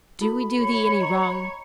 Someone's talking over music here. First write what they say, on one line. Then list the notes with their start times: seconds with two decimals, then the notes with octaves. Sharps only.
Do we do thee any wrong?
0.21 E4 F#4 A4 B5
0.62 C#5
1.00 D#5 A#5 C#6